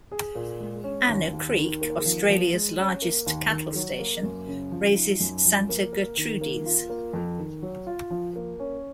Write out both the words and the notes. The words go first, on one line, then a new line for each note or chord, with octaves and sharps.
Anna Creek, Australia's largest cattle station, raises Santa Gertrudis.
G#4
A#2
G#3
C#4
D#2
D#2
D#3
A#3
F3
F3
G#3
C#4
A#3
D#2
D#3
F#3
A#3
F#2
C#3
F3
D#4
F#2
F3
A#3
A#4
D#3
A#3
F4
A#3
F2
D#3
F#3
F4
F3
A#3
C#4